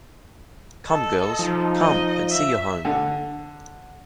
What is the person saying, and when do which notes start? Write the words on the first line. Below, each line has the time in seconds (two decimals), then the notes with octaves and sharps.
Come, girls, come and see your home!
0.88 A4 D#5
1.39 F3 D#4
1.80 D#5
2.31 E5
2.85 D3